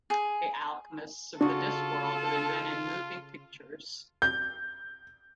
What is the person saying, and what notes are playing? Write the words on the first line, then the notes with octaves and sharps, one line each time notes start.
The alchemists of the Discworld have invented moving pictures.
G#4
C#3 D4 F4 F#4 A4
G6